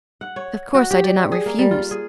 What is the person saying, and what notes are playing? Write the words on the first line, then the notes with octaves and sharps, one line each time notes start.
Of course I did not refuse.
F#5
C#5
F#4
G4
D5
G#4
A#3
G3
F4
G#4